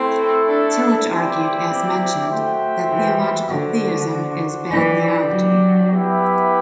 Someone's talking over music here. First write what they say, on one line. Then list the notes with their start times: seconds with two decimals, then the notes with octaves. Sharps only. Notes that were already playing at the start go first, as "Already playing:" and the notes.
Tillich argued, as mentioned, that theological theism is "bad theology".
Already playing: A3 C4 E4 A4
0.48 D4
1.08 C4 E4 G4 D5
1.69 C4
1.98 C4
2.28 A3 F#4 C5 E5 G5
2.89 E3
3.49 D3 D4 F#4 C5
4.70 E3 D4 G4 D5
5.30 F#3
5.89 B3 E4 G4 B4 E5